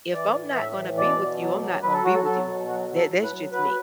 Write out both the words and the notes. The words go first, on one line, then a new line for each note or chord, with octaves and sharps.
if I'm not gonna be with you, I'm not gon' be with you. That that's just me,
E3 D5
A2
A2 E5
E3
B2 D5
B2
F#3
F#3
F#3 B4
A4
F#3 F#4
A4
F#3 A4
B2
F#3 F#4
F#3
A4
A2
B4
F#3
F#3 B4